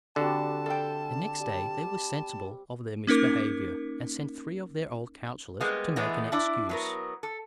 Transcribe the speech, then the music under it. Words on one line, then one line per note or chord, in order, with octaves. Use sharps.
The next day they were sensible of their misbehavior, and sent three of their old counsellors to make an excuse.
D3 G3 C4 F#4 A4 A5
A4 E5 F5 G5
G3
A#3 C#4 D#4 A#4 D6
G3 G#3 A#3 B3
E3 G#3 A3 B3
D4 E4 D5
F#3 B3 A#4
A4